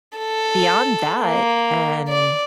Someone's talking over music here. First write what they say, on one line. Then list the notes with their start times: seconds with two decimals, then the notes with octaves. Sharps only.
beyond that, um,
0.18 A4
1.21 A#3
2.09 D5